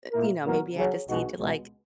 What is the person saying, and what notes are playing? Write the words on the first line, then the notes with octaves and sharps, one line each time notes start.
uh, you know, maybe I just need to like
A#2 A#3 E4 A#4
A#2 F#3 B3 F#4 A#4
C#3 F#3 C#4 G#4
B1 B2 G#3 D#4 F#4
C#2 B2 G#3